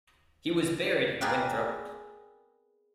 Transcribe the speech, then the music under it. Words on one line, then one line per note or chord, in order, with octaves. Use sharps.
He was buried in Winthrop.
G#4 A#4 B4 D5 F5 G5